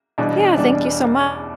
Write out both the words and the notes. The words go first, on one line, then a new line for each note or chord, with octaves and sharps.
Yeah, thank you so much,
E1 E2 B2 G3 D4
E1 E2 B2 G3 D4